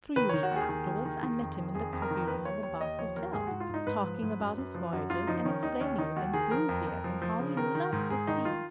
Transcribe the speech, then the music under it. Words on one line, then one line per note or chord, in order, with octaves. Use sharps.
Three weeks afterwards, I met him in the coffee-room of a Bath hotel, talking about his voyages, and explaining, with enthusiasm, how he loved the sea.
D#3 B4
D#3 C#5
F#4
D#2 G#4
D#3 G#4
D#2
D#3
D#3
F2
D#3
F2 G#4
F2
A#4
D#3
D#2 B4
D#2 C#5
D#2 C#5
D#2 D#5
F3 C#5
D#2 A#4
G#2 G#4
G#2 F#4
F4
G#2 D#4
G#2 B4
F3
G#2
F#2
F#2
F3
F#2 F#4
F#2 F4
F3 D#4
D#3 C#4
D#2 D#4
D#2 C#4
D#3 D#4
D#2 F#4
D#3 G#4
F3 A#4
F2
F2
F3
F3
C#3
D#3 A#4
D#3
G#2
G#2 G#4
D#3 D#4
F4